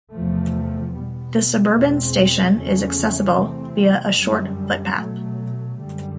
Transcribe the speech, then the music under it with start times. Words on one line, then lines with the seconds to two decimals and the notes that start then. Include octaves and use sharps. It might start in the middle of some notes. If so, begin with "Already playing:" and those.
The suburban station is accessible via a short footpath.
0.13 E2 C3 F3 A3
0.94 B2 G3 B3
1.74 E2 B2 G#3 C4
2.55 E2 C#3 F3 A3 C#4
3.36 C3 E3 A3 C4
4.17 F#2 D3 G3
4.98 B2 F#3 A3
5.79 F#2 D3 G3